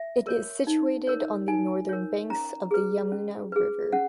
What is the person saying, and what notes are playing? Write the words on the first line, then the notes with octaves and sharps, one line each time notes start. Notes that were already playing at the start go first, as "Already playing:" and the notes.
It is situated on the northern banks of the Yamuna River.
Already playing: E5
A#4 C#5
D#4
A#4 C#5
D#4 G#5
A#4 C#5
C#4 A#5
G#4 B4
C#4
G#4 B4
C#4 F#5